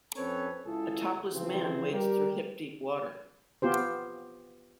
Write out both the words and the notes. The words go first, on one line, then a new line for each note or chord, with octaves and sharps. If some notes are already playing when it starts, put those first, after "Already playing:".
A topless man wades through hip deep water.
F2 C4 C#4 A4 B4 C#5
C#2 E4 F4 G#4 A4
C#3 E3 F3 C4
G3 G4 A#4
B3 F4 G4 C5